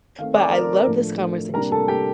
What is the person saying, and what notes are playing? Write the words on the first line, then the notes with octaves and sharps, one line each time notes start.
but I love this conversation.
D#3 A3 C4 F5
D5 D6
A#4 A#5
A2 F3 A3 D4
C3 G3 A#3 D4 A#4 A#5
A4 A5
G4 G5